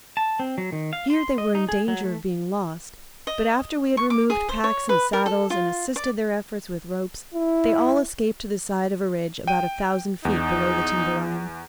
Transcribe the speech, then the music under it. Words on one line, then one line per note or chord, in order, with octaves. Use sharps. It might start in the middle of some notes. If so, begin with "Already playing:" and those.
Here they were in danger of being lost, but after we had removed packs and saddles and assisted their efforts with ropes, they all escaped to the side of a ridge about a thousand feet below the timberline.
A5
C4
F#3
D#3
F5
C6
D#5
D#4
G#4
F#3
A3
D#5
C#6
D6
G#4
C5
C#5
B4
A#4
A4
F4
D5
E4
G5 D#7
E2 D#4